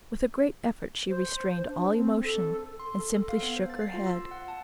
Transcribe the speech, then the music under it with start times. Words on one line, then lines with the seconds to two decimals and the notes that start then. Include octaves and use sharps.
With a great effort she restrained all emotion and simply shook her head.
1.09 C5
1.67 D4
1.96 C4
2.24 A4
2.80 C6
2.99 A4
3.16 A4
3.29 F5
3.43 B3
3.56 C5
3.70 A6
3.81 C7
3.94 F4
4.06 E6
4.31 F#5
4.48 A5